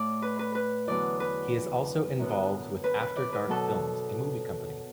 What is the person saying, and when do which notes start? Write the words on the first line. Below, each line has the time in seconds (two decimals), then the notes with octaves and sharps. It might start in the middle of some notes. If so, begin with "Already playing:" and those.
He is also involved with After Dark Films, a movie company.
Already playing: A2 A3 D5
0.22 B4
0.39 B4
0.55 B4
0.87 E2 D3 F#3 B3 D5
1.20 B4
2.18 F#2 D3 B3
2.84 B4
3.00 B4
3.16 D5
3.33 B4
3.48 B2 F#3 B3 A4